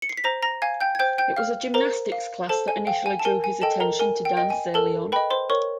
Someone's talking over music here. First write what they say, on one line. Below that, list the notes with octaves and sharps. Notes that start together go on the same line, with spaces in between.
It was a gymnastics class that initially drew his attention to dance early on.
C#7
C7
B6
C5 A#5 A#6
A#5 A#6
F5 G#5 G#6
G5 G6
G#6
C5 G5 G6
G5 G6
F5 F6
A#4 C5 A#5
F5
A4 C5 A5
G#5
F5 G5
G#5
A5
A#4 G#5
G#5
A4 D#5 G5 A5
A#4 A#5
A#4 G#5
G5
D#5 G5
G#5
A4 A#4 A5
B4 D#5 G5 B5
C5 C6
A#4 C#5 C#6